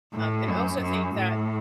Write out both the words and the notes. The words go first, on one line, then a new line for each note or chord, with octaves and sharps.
um, and I also think that,
A2
F#2
F#2
A2